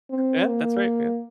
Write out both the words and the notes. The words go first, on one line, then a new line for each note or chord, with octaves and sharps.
Yeah, that's right, yeah.
C4
A#3